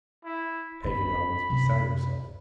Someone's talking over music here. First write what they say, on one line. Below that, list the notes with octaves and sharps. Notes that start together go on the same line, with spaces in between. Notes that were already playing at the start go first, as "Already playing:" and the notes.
Paganel was beside himself.
E4
G2 B3 B5
F#2 C3